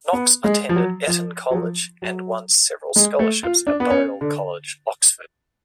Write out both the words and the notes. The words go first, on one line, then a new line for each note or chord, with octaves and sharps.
Knox attended Eton College and won several scholarships at Balliol College, Oxford.
B3
G#3
F3
F#3
F3
F#3
F3
F#3
G#3
A3
F4
D4
B3
C#4
D3